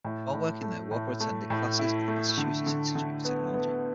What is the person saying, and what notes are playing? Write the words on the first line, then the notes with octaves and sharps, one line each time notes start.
While working there Walker attended classes at the Massachusetts Institute of Technology.
A2
A2
A3
A2
A3
A2
E4
A3
D3
D3
D3
B3
B3